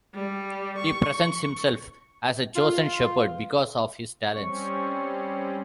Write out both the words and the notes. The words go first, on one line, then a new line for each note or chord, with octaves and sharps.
He presents himself as a chosen shepherd because of his talents.
G3
C#6
F4
G3 C4 C#4 C#6